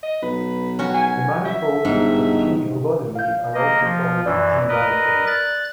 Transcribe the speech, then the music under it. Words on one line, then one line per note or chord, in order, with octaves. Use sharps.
The manifolds of G holonomy are also called G-manifolds.
D#5
B1 B4
C#4 F#4
G#5
E5
G1 G#2
F5 G6
A#3 D#5
F3
F#2 E3 D5 E6
A#4 B4 D#5
F#6 A6